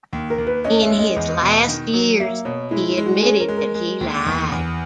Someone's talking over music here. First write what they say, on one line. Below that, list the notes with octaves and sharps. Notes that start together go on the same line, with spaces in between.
In his last years, he admitted that he lied.
D#2
A#4
D#2
B4
C#4 D#5
E5
G#3
D#5
E2
B2
D#3
F#3
A#3 E5
B2 C#5
G#3 E4
E4
G#3
F#4
C#4 G#4
A#4
G#3
A#4
G#3
D#2
E2
E2